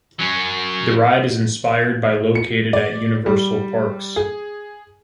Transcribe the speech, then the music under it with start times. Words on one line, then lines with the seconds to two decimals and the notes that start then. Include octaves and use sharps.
The ride is inspired by located at Universal Parks.
0.19 F#3 C#4
2.35 C#7
2.73 D5
3.26 G3
4.16 G#4